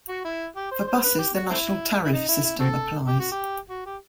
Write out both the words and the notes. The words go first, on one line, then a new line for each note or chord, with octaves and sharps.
For buses the National tariff system applies.
F#4
E4
G4
C5
C5
B4
G4
F#4
A3 C4 E4
E4
D#4
E4
E4
C4 F#4 A4
G4
F#4
G4
F#4
G4